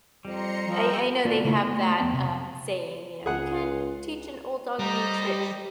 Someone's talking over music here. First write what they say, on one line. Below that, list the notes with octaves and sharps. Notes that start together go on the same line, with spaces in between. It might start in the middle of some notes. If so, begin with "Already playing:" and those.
y I I know they have that, uh, saying, you know, "You can't teach an old dog new tricks."
F2 G3 A#5 C6 C#7
F3 G5 A#5 E6
A#3 F4 F#4 A4 B4 D5
C#3 A3 E4 F4
B3
A3 C6
F2 B3 G5 C6
C3
C#2 G#4 F#5
G3 C5 D#5 A#5
G4